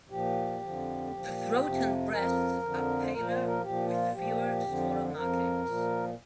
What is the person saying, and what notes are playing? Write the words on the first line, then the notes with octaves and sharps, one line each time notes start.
The throat and breast are paler with fewer, smaller markings.
A#2 F3 G4
F2 D3 F3
A#2 F3
F2 C3 F3
F2 F3 A#4
F2 D3 F3
C5
A#2 F3 A#4
C5
A#4
A#2 F3 G4
F4
A#2 F3 G4
F2 D3 F3
F2 F3 A#4
A#2 F3